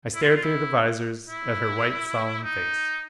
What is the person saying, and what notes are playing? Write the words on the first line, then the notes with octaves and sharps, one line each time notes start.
I stared through the visors at her white solemn face.
E4
F4
E4
F4
E4
E4
D#4